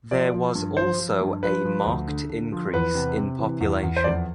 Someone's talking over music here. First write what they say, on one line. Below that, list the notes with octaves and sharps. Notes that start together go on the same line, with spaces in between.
There was also a marked increase in population.
F3 D5
F3
G2
F3 C5
F3
G2
F3 B4
F3
D2
D3
D3
F3
E2 B4
C3
C3
E3
E2
E2
C5
F2 D5